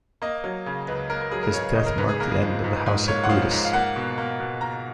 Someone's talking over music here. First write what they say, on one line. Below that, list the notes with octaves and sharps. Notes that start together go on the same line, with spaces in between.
His death marked the end of the house of Brutus.
A#3 D#5
F#3
C#3
C#2 B4
A#3 A#4
A#4
F#3 G#4
A#4
C#3 C#5
C#2 D#5
A#4
G#2 B4
G#4
A#3 A#4
G#4
F3
G#2
G#2
A#3 C#5
F#5
F3 F5
G#2
F5
A#3 F#5
B2
A#3
B2
A#3 A#5